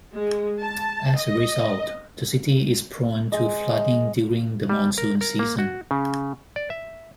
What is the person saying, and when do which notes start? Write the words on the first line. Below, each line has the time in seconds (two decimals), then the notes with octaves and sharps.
As a result, the city is prone to flooding during the monsoon season.
0.13 G#3
0.62 A5
1.16 D#5
3.32 G#3 D#5
4.70 G3
4.98 A#4
5.21 A#4
5.39 A#3
5.59 F#4
5.91 C#3
6.56 D5
6.70 E5